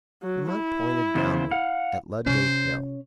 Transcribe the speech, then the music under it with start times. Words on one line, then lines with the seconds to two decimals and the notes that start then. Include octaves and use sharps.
The monk pointed downward at Ludgate Hill.
0.22 F#3
0.51 E4
1.15 E2 C#3 C5
1.51 F5 F#5
2.26 C3 C#4 F4 C5